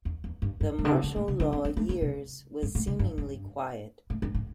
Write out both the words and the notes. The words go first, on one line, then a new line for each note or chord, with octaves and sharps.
The Martial Law Years was seemingly quiet.
E2
E2
G2
G2
A2
D3
C3
D3
A2
C3
D3
C4
C4
A3
E3
C3
G2
A2
C3
G2
G2
A2
G2
A2